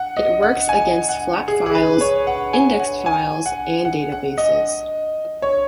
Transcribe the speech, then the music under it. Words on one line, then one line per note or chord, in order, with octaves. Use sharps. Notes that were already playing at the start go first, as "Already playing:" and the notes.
It works against flat files, indexed files, and databases.
Already playing: F#5
D#5
F#5
G#5
F#5
G#4
G#4
B4
C#5
F#5
G#5
F#5
G#5
F#5
F#5
F#5
D#5
C#5